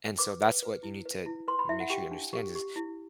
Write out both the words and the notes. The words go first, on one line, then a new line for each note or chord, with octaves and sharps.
And so that's what you need to make sure you understand is
B4 D6
B4
B4
E4
B4
E4
B4 C6
B5
E4 E5
F#5
G4 G5
D4
G4
G4
E4